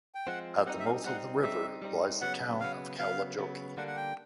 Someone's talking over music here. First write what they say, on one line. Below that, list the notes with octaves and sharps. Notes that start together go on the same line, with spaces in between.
At the mouth of the river, lies the town of Kalajoki.
G5
F3 G#3 C4 F#5
G3 C4 D#4 F#5
E5
F5
G3 C4 D#4 F#5
G3 C4 D#4 E5
G3 C4 D#4
C#3 F#3 B3 F#5
C#3 F#3 B3 F5
C#3 F#3 B3 F5
C#3 F#3 B3
D3 G3 A#3 D4 F#5
F#5
G5